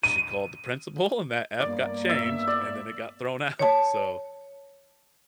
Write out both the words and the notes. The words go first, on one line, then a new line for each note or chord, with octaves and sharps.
she called the principal, and that F got changed, and then it got thrown out so,
D#7
G2 A#3 B3 D5
E5
D5
C#5 A5